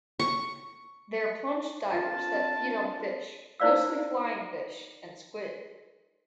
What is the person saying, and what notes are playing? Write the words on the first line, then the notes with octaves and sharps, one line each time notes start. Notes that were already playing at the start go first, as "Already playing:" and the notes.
They are plunge-divers that feed on fish, mostly flying fish, and squid.
C#6
C4 D4 F4 A5
D#4 E4 C5 D5 F5 E6